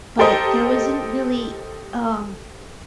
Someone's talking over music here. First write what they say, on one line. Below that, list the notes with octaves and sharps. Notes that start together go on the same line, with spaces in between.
but there wasn't really, um
G4 A4 A#4 C5 D#5